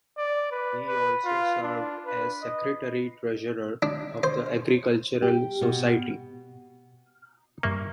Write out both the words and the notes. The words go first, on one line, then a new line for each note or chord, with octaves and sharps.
He also served as secretary-treasurer of the Agricultural Society.
D5
B4
B4
F4
D4
B4
D#5
D4
C5
G4
B2
G2 A#3 E5 C#6